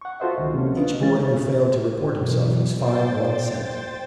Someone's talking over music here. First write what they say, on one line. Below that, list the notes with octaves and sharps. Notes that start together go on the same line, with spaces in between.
Each boy who failed to report himself was fined one cent.
F#5 C#6
F4 F#4 A4 C5 D#5 E5
C#2 D#3
C3 F3 A#3 C#4
F4 B4 D#5
E3 G#3 C#4 A6
B2 E3 F#3
C5 G5 A6